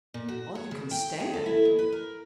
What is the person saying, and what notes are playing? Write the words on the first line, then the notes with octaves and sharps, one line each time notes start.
"All you can stand?"
A#2
F#4
C#5
C#3
G5
G#4
A4
E4
D#2
B4
A#4